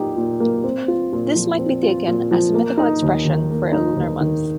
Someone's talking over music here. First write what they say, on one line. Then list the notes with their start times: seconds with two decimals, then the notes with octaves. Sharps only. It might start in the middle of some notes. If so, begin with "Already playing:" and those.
This might be taken as a mythical expression for a lunar month.
Already playing: A#2 A#3 D#4 G4
0.16 A#2
0.40 A#3
0.64 C4
0.88 F4
1.12 A#2
1.35 F3
1.59 C4
1.83 F4
2.07 A#2
2.31 F3
2.54 A#3
2.77 D#4
3.02 D#2
3.25 D#3
3.50 A#3
3.72 D#4
3.96 D#2
4.21 D#3